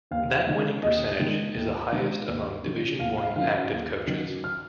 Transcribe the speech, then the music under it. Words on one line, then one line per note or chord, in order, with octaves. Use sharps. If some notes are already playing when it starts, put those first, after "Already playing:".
That winning percentage is the highest among Division One active coaches.
D#2 F5
D#3 G#3
D#2 D#5
D#3 G#3
D#2
D#3 G#3
D#2
D#3 F#3 C#4
D#2 F5
F5
D#3 F#3 C#4 F5
D#2
D#3 F#3 C#4
F6